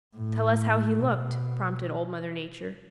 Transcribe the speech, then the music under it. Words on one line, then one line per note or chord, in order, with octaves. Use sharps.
"Tell us how he looked," prompted Old Mother Nature.
A2
B2